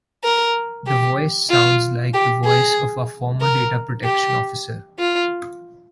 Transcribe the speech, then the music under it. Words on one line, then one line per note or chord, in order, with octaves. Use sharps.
The voice sounds like the voice of our former data protection officer.
A#4
G4
F4
G4
G#4
A#4
G4
F4